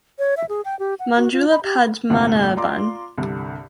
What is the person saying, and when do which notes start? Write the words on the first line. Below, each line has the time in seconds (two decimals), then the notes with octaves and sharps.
Manjula Padmanabhan.
0.19 C#5
0.37 E5
0.49 G#4
0.65 G5
0.79 G4
0.99 F#5
1.17 F#4
1.33 F4
1.51 B5
1.63 G4
2.10 G1 D2 A2 C3 A3 F#5
2.56 F4 D5 A#5 C6 D6
3.18 C2 G2 D3